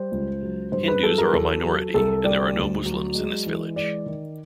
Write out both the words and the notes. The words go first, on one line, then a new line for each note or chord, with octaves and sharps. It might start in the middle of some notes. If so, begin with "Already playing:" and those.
Hindus are a minority and there are no Muslims in this village.
Already playing: G3 C5
C#2
F#3
G2 C5
B4
F#3 A4
A#4
E2 A4
F#3
C2 A4
G3 D5
D2
F#3
G#3
E3
G#3 D5
D#3